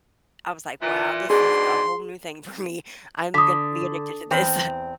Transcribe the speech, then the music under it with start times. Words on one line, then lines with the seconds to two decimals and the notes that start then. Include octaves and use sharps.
I was like, "Wow, this is a whole new thing for me, I'm gonna be addicted to this."
0.81 A#2 E3
1.30 G#2 B2 D4 G#4 C6
3.34 D3 D#6 B6
4.31 E2 C4